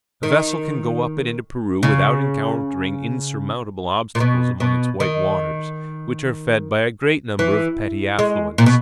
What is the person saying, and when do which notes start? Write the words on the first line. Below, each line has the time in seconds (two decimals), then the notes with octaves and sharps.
A vessel can go up it into Peru without encountering insurmountable obstacles among its white waters, which are fed by a great number of petty affluents.
0.23 D#3
1.83 C#3
4.15 A#2
4.20 B2
4.60 B2
5.00 D#3
7.39 E3
8.19 G#3
8.58 A#2
8.66 B2